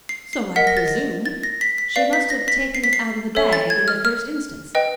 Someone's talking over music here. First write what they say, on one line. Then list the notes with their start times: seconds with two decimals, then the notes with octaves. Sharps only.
"So I presume; she must have taken it out of the bag in the first instance."
0.09 C7
0.33 C7
0.56 A#4 D#5 F#5 B6
0.67 A#6
0.77 A6
0.88 A#6
1.26 A6
1.43 A#6
1.61 B6
1.78 B6
1.96 B4 D5 F5 C7
2.13 B6
2.30 A#6
2.48 B6
2.75 C7
2.84 B6
2.93 C7
3.35 A4 C#5 E5
3.53 A6
3.70 G#6
3.88 F6
4.05 F6
4.75 B4 D#5 G5